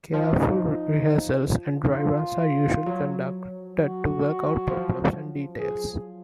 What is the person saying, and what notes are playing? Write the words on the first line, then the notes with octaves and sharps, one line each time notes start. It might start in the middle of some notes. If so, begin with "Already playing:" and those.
Careful rehearsals and "dry runs" are usually conducted to work out problems and details.
F3 D#4
D#3
F3 F4
F#3
F#4
F3
G#4